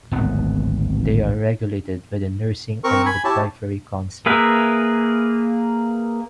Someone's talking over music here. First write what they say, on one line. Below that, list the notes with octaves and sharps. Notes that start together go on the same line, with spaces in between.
They are regulated by the Nursing and Midwifery Council.
D1 G#1 B3
C4 A#4 C#6
G#5 B5
E4 G4 C#5 A5
A#3 G#4 A#4 B4 E5